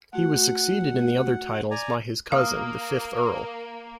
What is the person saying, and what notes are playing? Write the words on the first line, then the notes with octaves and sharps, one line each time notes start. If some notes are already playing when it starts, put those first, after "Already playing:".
He was succeeded in the other titles by his cousin, the fifth Earl.
A3 F#4 F#5
D5 G#5 A#5
A#3 F5 D#6 F6